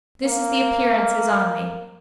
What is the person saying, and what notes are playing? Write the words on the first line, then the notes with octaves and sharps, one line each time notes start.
This is the appearance is on me.
A#3